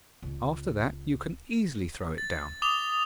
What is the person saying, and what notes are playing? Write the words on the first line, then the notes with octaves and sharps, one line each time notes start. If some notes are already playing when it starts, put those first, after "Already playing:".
After that you can easily throw it down.'
C#2
A6
D6 D#6 F7 G7